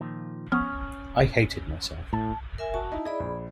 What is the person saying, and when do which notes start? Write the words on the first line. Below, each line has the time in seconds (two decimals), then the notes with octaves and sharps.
I hated myself.
0.01 A#2 D#3 F3
0.52 F3 B3 C#4 C#6 D#6 F6
2.13 A2 A5
2.58 A#4 E5 G#5
2.74 F#4 A5
2.92 D#4 E4
3.05 E4 G#4 D5 D#5 B5
3.20 A#1